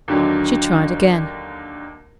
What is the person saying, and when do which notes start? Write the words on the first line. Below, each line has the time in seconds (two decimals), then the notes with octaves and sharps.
She tried again.
0.08 D#2 D3 F#3